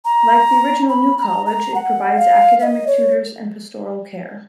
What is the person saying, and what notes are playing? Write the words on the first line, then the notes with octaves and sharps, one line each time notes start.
Like the original New College, it provides academic tutors and pastoral care.
A#5
B5
B5
A#5
A#5
F#5
F5
F5
D#5
C#5